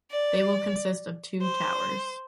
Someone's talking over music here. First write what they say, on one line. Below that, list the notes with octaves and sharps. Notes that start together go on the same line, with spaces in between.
They will consist of two towers.
D5
C5